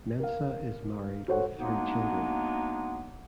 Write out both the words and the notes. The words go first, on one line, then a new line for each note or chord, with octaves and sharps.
Mensah is married with three children.
A#4 F5
F#4 A4 C5 C#5 F#5
F#3 G#3 A#3 B3 D4 D#4